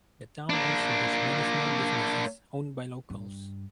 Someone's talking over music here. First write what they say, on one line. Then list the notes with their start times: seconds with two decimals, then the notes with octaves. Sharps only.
The town also has many small businesses owned by locals.
0.50 A#3 D4
3.10 G2